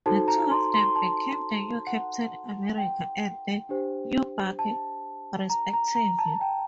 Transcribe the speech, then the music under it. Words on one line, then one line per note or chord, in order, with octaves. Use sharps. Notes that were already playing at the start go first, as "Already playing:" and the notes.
The two of them became the new Captain America and the new Bucky, respectively.
D#4 F#4 A4 C5 A5
A#5
C6
C6
A5
F#5
G5
D4 G4 C5
A5
A#5
A#5
A#5
A5
G5